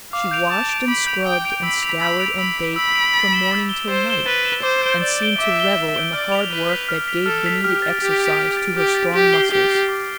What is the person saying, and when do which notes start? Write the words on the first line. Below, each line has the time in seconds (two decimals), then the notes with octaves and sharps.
She washed and scrubbed and scoured and baked from morning till night, and seemed to revel in the hard work that gave the needed exercise to her strong muscles.
0.13 F5 D6
0.31 G6 D7 F7
0.50 A5 D6
0.69 G6 D7 F7
0.88 B5 D6
1.07 G6 D7 F7
1.25 G5 D6
1.45 G6 D7 F7
1.63 B5 E6
1.83 B6 D7 F7
2.00 B5 E6
2.19 B6 D7 F7
2.38 B5 E6
2.58 B6 D7 F7
2.75 B5 E6
2.95 B6 D7 F7
3.13 A6
3.33 E7 G7
3.51 A6
3.69 E7 G7
3.88 C5 A6
4.07 E7 G7
4.26 B4 A6
4.45 E7 G7
4.63 C5 D6
4.82 G6 D7 G7
5.01 D5 D6
5.19 G6 D7 G7
5.38 E5 D6
5.57 G6 D7 G7
5.76 D6
5.94 G6 D7 G7
6.13 D5 F6
6.32 B6 F7
6.51 B4 F6
6.70 B6 F7
6.89 F6
7.08 B6 F7
7.26 A4 F6
7.45 B6 F7
7.64 G4 F6
7.82 A6
7.88 D7
8.01 G4 F6
8.21 A6 D7
8.39 F6
8.57 A6 D7
8.76 G4 F6
8.95 A6 D7
9.14 G4 D6
9.33 G6 C7 G7
9.51 G4 D6
9.70 G6 C7 G7
9.89 D6